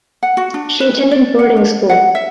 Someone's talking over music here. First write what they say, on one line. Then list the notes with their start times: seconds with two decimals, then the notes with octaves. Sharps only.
She attended boarding school.
0.23 F#5
0.37 F#4
0.54 D4
0.80 B4
1.11 D5
1.39 F#5
1.57 D4
1.90 F#5
2.15 E5